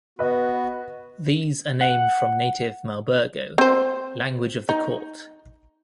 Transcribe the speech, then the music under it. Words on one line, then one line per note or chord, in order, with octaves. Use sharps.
These are named from native "malbergo", "language of the court".
B3 F#4 B4 D#5
F#5
C4 C5
D#4